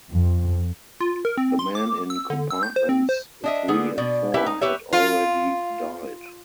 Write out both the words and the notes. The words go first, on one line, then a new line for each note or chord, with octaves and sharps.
The men in compartments three and four had already died.
F2
F4
A#4
C4
C6
D6
E6
D3
E6
G6
C5
C4
C5
D4 D#5 E5
D3 B3 G#4
B2 D5
C#4 E4 G4 B4 E5
D#4
G4 B4 C#5 E5
F4